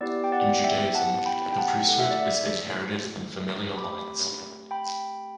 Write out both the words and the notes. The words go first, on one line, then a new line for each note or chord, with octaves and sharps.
In Judaism the priesthood is inherited in familial lines.
B3 E4 G4 D5
G5
D5 F#5
E5 G5
F#5 A5
G5 B5
G5
F#5 A5
A3 E4 A4 F#5
E5
D5
E5
A3 C4 G4 B5 D6
G5 B5